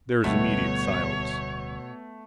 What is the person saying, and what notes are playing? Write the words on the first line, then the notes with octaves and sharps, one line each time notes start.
There was immediate silence.
D1 D2 B2 G3 A3 C#5